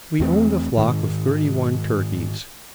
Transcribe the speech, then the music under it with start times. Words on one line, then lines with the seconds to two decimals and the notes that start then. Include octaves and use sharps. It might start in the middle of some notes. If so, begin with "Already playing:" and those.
We owned a flock of thirty-one turkeys.
0.20 E2 E3 A3 C4
0.77 G#2 D#3